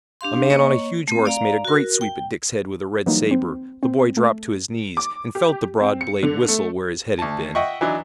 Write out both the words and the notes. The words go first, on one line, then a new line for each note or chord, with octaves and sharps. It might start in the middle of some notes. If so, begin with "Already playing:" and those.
A man on a huge horse made a great sweep at Dick's head with a red saber. The boy dropped to his knees, and felt the broad blade whistle where his head had been.
D4 G4 F5 C6
A#3 C#5 D#5 C#6
A3 C4
D5 F5 A#5
F#4 A#4
G5
E3 F#3 G3 A#3 D#4
C4
C4
A3
D6
G4
C4
C#7
D3
A3
D2 A5
D#5 E5 F#5 G5 C#6
E3 F#3 D4 D#4